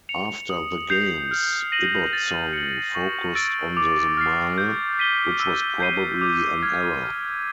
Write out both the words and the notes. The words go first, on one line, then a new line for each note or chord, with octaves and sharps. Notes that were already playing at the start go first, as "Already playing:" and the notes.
After the games, Ibbotson focused on the mile, which was probably an error.
C#7 F7
D#6
G6 C7 F7
F6
A#6 D#7 F#7
A6
C#7 F#7
C#6
E6 A6 D7
D6
F6 A6 C7
G6
B6 D#7 G7
E6
G6 C7 D#7 G7
D6
F6 G#6
F6